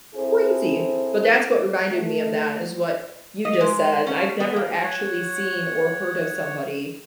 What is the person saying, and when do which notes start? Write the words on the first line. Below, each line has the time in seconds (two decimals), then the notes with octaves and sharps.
crazy, but that's what reminded me of that is what you just said, I've never actually seen, or heard of somebody,
0.15 C4 E4 G#4 A4 C5
1.89 A3
3.45 D#5
3.61 G#3
4.07 C#4
4.40 B3
4.56 A#3
4.83 C#5 F#5